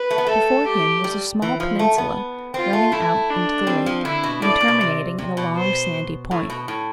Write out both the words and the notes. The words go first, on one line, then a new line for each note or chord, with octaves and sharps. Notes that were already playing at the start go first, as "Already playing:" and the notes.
Before him was a small peninsula running out into the lake and terminating in a long sandy point.
Already playing: B4
A3
B3
A3 A4
G4
G3
E3
F3
A3
B3
C4 F4
A3
A3 E4
D4
G3 C4
F3
D3 E4
B2
A2 D5
A2
B2
C3
C3
B2
C5
A2
B2
A2